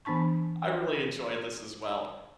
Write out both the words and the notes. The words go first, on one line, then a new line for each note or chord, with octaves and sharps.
I really enjoyed this as well.
E3 B3 D4 A5 C#6